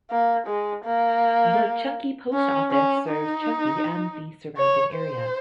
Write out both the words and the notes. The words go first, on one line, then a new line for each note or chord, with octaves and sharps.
The Chunky post office serves Chunky and the surrounding area.
A#3
G#3
A#3
C#4
C#4
D#4
C#5
C5